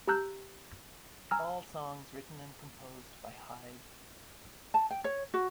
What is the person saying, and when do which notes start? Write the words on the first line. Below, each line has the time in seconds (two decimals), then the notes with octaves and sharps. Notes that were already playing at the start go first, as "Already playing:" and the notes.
All songs written and composed by Hyde.
0.07 G4 A5 A#5 E6 F#6 G6
1.31 G#5 A#5 E6 F6
4.74 A5
4.91 G5
5.04 C#5
5.34 F#4